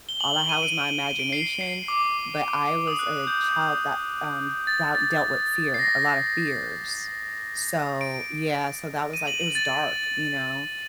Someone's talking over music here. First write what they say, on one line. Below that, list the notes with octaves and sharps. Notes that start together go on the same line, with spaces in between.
All I had was my imagination, but I was a child that, um, 'bout dealt with fear, a lot of fears. So, yeah, so that was like it was dark, you know?
G7
F#7
F#7
D#7
D7
D#7
D7
C7
C7
D6
D#6
F#6
G6
A6
A6
C7
A#6
D7
D#7
F#7
F#7
A6